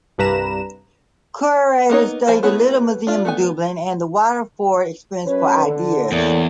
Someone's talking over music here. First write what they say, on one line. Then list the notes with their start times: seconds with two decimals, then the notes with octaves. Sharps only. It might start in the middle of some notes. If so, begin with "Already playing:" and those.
Curators studied the Little Museum of Dublin and the Waterford Experience for ideas.
0.18 C2 G2 B4 A#5 E7
1.90 A#3 B3 D#4 C#5
2.27 F3 E4 C5 F5 G#5
2.43 A3 B3 E4 G#4 C#5
3.07 D4 F4
3.25 A3 B3 G#5
5.25 F#2 C#4 B4 C#5
5.66 D3 A4
6.12 E2 A2 A#3 D5